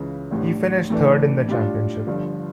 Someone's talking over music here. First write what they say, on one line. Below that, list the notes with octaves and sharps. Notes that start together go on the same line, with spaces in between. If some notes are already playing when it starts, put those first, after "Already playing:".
He finished third in the championship.
Already playing: C#2 C#3 E3
A1 A2 G3 D4
A2 E3 A3 D4
A2 G3 D4 F4
G1 G2 D3 F3